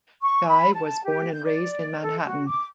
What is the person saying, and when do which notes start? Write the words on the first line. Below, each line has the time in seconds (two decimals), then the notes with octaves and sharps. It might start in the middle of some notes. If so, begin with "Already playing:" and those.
Guy was born and raised in Manhattan.
0.22 C#6
0.49 B5
0.74 A5
1.05 G4
1.33 G6
1.44 D5
2.02 A4
2.26 F#4
2.47 D6